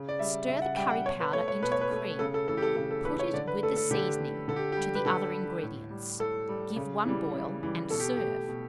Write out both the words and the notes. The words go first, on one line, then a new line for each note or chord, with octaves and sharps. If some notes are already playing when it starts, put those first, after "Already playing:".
Stir the curry-powder into the cream; put it, with the seasoning, to the other ingredients; give one boil, and serve.
Already playing: C#3
D5
G3 E5
C#3 E5
F#5
G3 G5
F#5
B2 C#5
B4
A3 C#5
C#5
B2 B4
C#5
B4
A3
C#3 A4
A4
E3 A3 A4
G4
A4
C#3 A4
A4
E3 A3 B4
C#5
D3 D5
B4
A3 A4
A4
D3 G4
A3
D3 A4
G4
G3 G4
B4
D3 A4
G3
A2
G3
A2 A4
G3
C#3
E3 G3
C#3
E3 G3
B2 A4
G4
A3 G4
B2